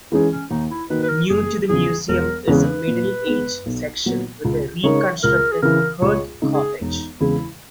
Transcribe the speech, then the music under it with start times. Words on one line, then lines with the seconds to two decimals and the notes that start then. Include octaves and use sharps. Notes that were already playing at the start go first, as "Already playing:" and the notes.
New to the museum is a middle ages section with a reconstructed hearth cottage.
0.12 E3 G#3 C#4 D#4 G#4
0.31 C#4
0.51 D#2 D#4
0.71 E4
0.90 D#3 A#3 D#4 F#4 B4
1.03 B4
1.10 A#4
1.29 F#1 G#4
1.69 E2 C#3 G#4
2.08 E1 A#4
2.47 E2 C#3 G#3 C#4 B4
2.87 A#2
3.27 G#3 B3
3.66 B1
4.06 A#2 F#3 B3
4.45 C#2
4.83 C#3 G#3 D#4 A#4 C#5
5.23 C#2 A#4
5.52 G#4
5.62 C#3 E3 A#4
6.01 C#2 C#5
6.42 C#3 G#3 D#4
6.55 G#4
6.81 E1 D#4
7.20 E2 C#3 G#3 E4